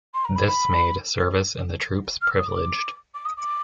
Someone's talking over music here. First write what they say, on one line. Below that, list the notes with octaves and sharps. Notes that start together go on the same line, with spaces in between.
This made service in the troops privileged.
C6
A#5
B5
B5
F6
E6
D#6
D6
D6
D#6
D6